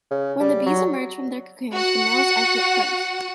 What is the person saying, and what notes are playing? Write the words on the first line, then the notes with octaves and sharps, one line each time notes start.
When the bees emerge from their cocoons, the males exit first.
C#3
G3
F#3
F#4 F#5